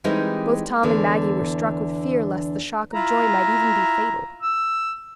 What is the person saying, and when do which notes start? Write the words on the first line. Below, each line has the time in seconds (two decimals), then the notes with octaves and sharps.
Both Tom and Maggie were struck with fear lest the shock of joy might even be fatal.
0.04 E3 G3 G#3 C4 D#4 A#4
0.83 E2 D3 E3
2.93 E4 F4 A#5
4.42 E6